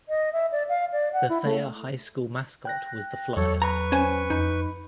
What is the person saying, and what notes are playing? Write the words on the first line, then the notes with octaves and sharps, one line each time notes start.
The Thayer High School mascot was the Flyer.
D#5
E5
D5
F5
D5
F#5
E4
A3
G5 F#6 A#6
E2 F#3 A4 C#5
B4 A#5 C#6
C#4 C5 G#5
F2 D#4